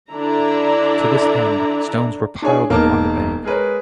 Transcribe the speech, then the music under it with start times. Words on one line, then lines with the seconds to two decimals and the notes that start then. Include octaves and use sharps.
To this end, stones were piled up on the bank.
0.10 D3 D4 E4 A#5
2.42 D4 E4 G#4 C#5 D5 G#5
2.70 E1 A#3 D#4 A#4 A5 D6
3.44 G#3 G#4 A#4 B4 C#5